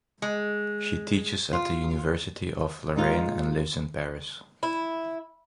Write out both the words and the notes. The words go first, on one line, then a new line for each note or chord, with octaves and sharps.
She teaches at the University of Lorraine and lives in Paris.
G#3
F4
G#3 D#4 F4
E4